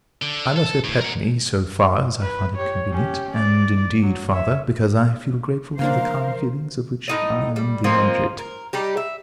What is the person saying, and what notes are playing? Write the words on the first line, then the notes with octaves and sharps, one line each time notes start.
I let her pet me, so far as I find it convenient, and, indeed, farther, because I feel grateful for the kind feelings of which I am the object.
D3
A4
A2
A#4 F#5
B4
G4 C#5
C#4 G4
D5
F#3
C#5 E5
C#3 F3 A#3 D4 A#4 C5 F5
A2 D#4 D#5
G3
F3 A#3 C4 D#4
A#4
G3 D#4 G4
E5